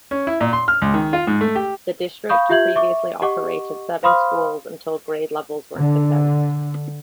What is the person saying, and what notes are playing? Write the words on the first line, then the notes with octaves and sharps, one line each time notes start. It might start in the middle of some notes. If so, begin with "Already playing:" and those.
The district previously operated seven schools until grade levels were condensed.
C#4
E4
A#2
C6
F6
C#2
D#3
F4
G#2
A3
G4
F5 B5 C#6 D#6 G6
F4 G4 E5 G6 G#6 F#7
E5 C#6 D6
G4 D#5 F#5 C#6 D6
C5 F5 B5 C6 D#6 F6
D3